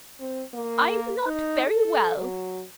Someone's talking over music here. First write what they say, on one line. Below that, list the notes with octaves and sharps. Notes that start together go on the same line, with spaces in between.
"I'm not very well."
C4
A#3
D#4
A4
F#3